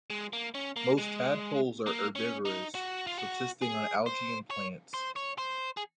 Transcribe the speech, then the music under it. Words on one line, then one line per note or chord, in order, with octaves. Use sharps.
Most tadpoles are herbivorous, subsisting on algae and plants.
G#3
A#3
C#4
A#3
G#3
A#3
C#4
D#4
F#4
F4
F#4
G#4
C5
C#5
C5
C#5
C5
G#4